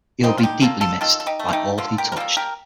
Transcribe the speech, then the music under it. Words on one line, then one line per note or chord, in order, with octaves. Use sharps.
He will be deeply missed by all he touched.
D3 C4 D#4
F4
D#4 G4
G3 A#3 F4 A4
F4 A4
D#3 F4 A4
A4
D#4 G4
A3
F4
D#4 G4
D3 F4 A4
G4 A#4
A#4
G3 A#3 F4 A4
G4 A#4